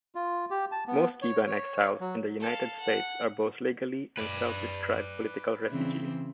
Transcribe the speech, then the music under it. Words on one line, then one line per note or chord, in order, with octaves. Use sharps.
Most Cuban exiles in the United States are both legally and self-described political refugees.
F4
G4
A5
B3
C#5
C#5
F#3
A4 F5
F#5
B4 D5
C#3 E3 C4